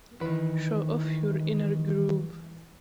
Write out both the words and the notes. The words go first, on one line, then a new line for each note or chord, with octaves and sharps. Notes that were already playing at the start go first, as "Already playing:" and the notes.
Show off your inner groove.
D#3 E3 B4